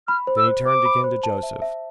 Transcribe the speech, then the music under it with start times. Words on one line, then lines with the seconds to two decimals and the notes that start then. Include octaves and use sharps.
Then he turned again to Joseph.
0.08 B5 F6
0.27 C5
0.37 E6
0.47 C5
0.66 C5 D6
0.85 B5
1.04 C5
1.23 A5
1.43 E5
1.62 E5